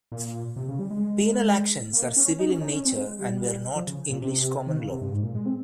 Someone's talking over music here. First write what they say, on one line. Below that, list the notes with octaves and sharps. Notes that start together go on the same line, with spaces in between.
Penal actions are civil in nature and were not English common law.
A#2
C3
C#3
G3
G#3
A#3
C#4
D#4
C#4
D#4
C#4
C4
G#3
G#3
G3
F3
C#3
A#2
C3
D#3
C#3
C3
G2
G#2
A#2
G#3
C4